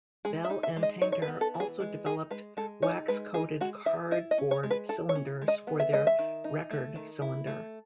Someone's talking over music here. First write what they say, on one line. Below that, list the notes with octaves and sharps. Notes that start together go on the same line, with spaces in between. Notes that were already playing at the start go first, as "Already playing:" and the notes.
Bell and Tainter also developed wax-coated cardboard cylinders for their record cylinder.
G#3 G#4
E5
D#4
E5
G#3
D#5
D#4 C#5
C#5
B4
B3
A4
E3
G#4
G#3
D#4 G#4
G#3 B4
G#3 A4
D#4 C#5
G#3 B4
D#4 G#4
G#3 F#4
E3 E5
E4 D#5
D#5
C#4
C#5
G#3
B4
E4 A4
C#5
C#4
G#3
D#5
B3
E5
G#3 D#5
E5
D#3
D#4
A3
D#3
E4
A3